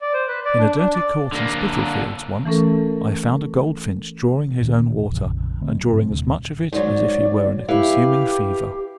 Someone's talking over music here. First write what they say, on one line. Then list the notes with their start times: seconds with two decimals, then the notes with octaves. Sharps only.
In a dirty court in Spitalfields, once, I found a goldfinch drawing his own water, and drawing as much of it as if he were in a consuming fever.
0.01 D5
0.13 C5
0.28 B4
0.45 D5
0.59 D4
0.77 D4
0.94 D5
1.32 D3 A#3
2.45 E3 A3 C#4 A4 A#4
4.61 D2 A#2 D#3 C#4
5.10 A#1 F2 C#3
5.61 D3 A3 C4
5.76 F#3
5.92 G#2 C3 C4
6.10 D#1 D2
6.73 G#2 F#3 D5
7.68 E4 G4 B4 F5